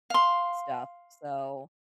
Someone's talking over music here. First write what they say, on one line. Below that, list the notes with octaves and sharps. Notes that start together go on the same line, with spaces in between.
stuff so,
F5 C6